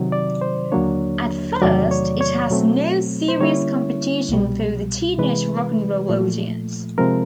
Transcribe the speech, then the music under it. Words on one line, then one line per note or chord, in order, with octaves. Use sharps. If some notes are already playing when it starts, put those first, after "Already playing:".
At first it had no serious competition for the teenage rock 'n' roll audience.
Already playing: C3 D#3 F#3
D5
C5
D#2 D3 F#3 A#3 D4 C#5
E2 C3 D#3 F#3 A3 D5
C#5
C#5
B2 F#3 A3 C4
C5
D3 G3 A#3 C#4 E4 C#5
C2 B2 G3
C3 E3 G#3 B4
A#2 F3 A3
C3 F3 G#3 C4 A#4